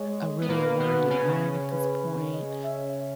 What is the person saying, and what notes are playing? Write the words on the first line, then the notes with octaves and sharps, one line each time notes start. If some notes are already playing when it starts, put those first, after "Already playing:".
a really a worry of mine at this point."
Already playing: G#3 C#5
B3
A#2 A#3 B4
B2 B3
C#3 C#4
B4
D#5
E5